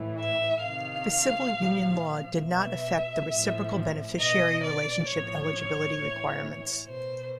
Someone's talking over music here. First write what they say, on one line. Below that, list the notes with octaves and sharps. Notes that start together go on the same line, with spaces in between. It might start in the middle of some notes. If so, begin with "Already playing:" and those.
The civil union law did not affect the reciprocal beneficiary relationship eligibility requirements.
Already playing: A2 E3
E5
C3 D#3 F5
A#2 F3
B2 E5
A2 F3
B2 D#5
D5
A2 F3 C#5
A2 E3
B2 C5